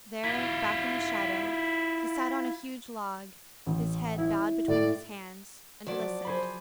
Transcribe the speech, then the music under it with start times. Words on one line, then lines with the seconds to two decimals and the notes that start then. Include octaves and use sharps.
There, back in the shadow, he sat on a huge log, his head bowed between his hands, and listened.
0.24 E4 F4
3.66 A1
4.18 E4
4.68 A2 D5
5.86 F3 F#3 D5
6.25 G#4 C5 B5